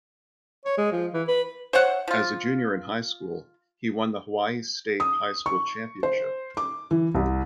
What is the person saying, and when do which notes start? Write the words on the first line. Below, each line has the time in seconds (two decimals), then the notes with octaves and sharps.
As a junior in high school, he won the Hawaii State High School Championship.
0.65 C#5
0.78 G#3
0.92 F3
1.14 E3
1.28 B4
1.73 C5 C#5 E5 F#5
2.08 F3 F4
5.00 D#6
5.46 C#6
6.03 C5
6.57 D6
6.91 E3
7.15 C2